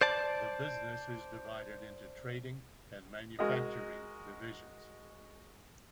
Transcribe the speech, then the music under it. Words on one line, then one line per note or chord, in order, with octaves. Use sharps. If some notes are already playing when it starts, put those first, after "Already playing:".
The business is divided into trading and manufacturing divisions.
C5 D5 A5
G#3 F#4 A#4 D#5